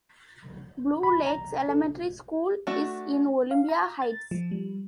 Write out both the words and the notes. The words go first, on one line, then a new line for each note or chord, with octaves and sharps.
Blue Lakes Elementary School is in Olympia Heights.
B5
A#5
A4
A3 D4 F#4
F5
A#5
A6
F3
G3